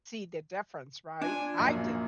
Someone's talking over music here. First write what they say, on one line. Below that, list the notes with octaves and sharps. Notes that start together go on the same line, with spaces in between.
see the difference, right? I didn't.
D4 F4 G#5
A#1 F#2 A#2 A#3